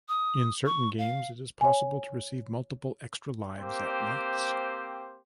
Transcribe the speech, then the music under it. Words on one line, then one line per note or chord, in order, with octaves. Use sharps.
In certain games, it is possible to receive multiple extra lives at once.
D#6
C#6
F5
C#5 G#5
A#3 C4 G4 C5